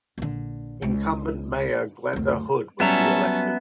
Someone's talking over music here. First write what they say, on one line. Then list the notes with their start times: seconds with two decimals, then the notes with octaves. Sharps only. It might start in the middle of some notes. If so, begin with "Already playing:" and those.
Incumbent mayor Glenda Hood was reelected.
0.18 A#1 D3
0.82 C#2
2.13 F#1 D2
2.80 F#3 G3 B3 C#4 E5 A5 A#5